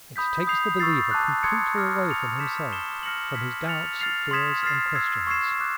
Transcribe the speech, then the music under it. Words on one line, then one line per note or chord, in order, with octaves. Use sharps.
It takes the believer completely away from himself, from his doubts, fears, and questions.
B5 D#6 G6 B6
D#6 G6 C7 F7
C#6 E6 A6 C7
A5 D6 F#6
C6 D#6 G#6 C#7
D6 F6 A#6
F#6 A6 C#7 F7
D6 G6 B6 E7
D#6 G#6 C7 E7 G7
F6 A#6 C#7 F#7
C6 F6 G#6 B6
F6 A6 C#7 F7
F6 A6 C7 F7
C6 D#6 G#6 B6 E7
F6 A6 C7
E6 G#6 C7
C#6 E6 G#6 C7 E7
D6 F#6